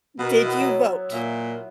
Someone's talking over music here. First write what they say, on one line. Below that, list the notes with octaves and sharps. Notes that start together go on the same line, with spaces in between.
"Did you vote?
B2 B3 A#4
B3 E4
F#3
A#2 E5